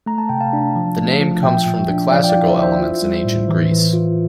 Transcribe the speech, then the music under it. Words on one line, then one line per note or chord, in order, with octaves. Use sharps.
The name comes from the classical elements in ancient Greece.
A3 A#5
A5
C3 G5
F5 A5
D4
F3
A3
F3
A#2 E5 G5
A#2
D4
F3 D5 F5
G5
D5 F5
E4
C5 E5
E4
C5 E5
F4
G3
A2
E3
E3
F4